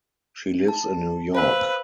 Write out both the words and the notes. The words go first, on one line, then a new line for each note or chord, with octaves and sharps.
She lives in New York.
A5
B4 C5 F5 E6